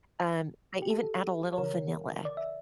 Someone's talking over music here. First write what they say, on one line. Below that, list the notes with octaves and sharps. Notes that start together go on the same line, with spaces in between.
Um, I even add a little vanilla.
G4
A4
C#5
C#3 E3 A#4
D5
E5